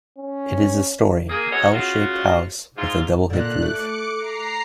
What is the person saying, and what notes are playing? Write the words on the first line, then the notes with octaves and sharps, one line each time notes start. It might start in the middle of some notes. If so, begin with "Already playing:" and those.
It is a -story, L-shaped house with a double hipped roof.
C#4
A#3 G#4
F#3 B3 C#4 A4 C#5 D#5
C#3 F4 F#4
G#2 F4
A#2 D3 F#6
A3 D6 C#7
A#5 C7